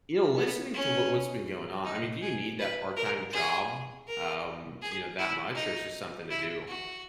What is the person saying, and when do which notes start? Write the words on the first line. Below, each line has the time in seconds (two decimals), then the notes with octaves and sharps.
you know, listening to what what's been going on I mean, do you need that part-time job, um, you know, that much, or it's just something to do?
0.37 B3
0.73 C#4
1.85 D#4
2.22 G#4
2.59 B4
2.96 A#4
3.33 G#4
4.07 A#4
4.82 G#4
5.19 E4
5.55 D#4
6.30 E4
6.67 F#4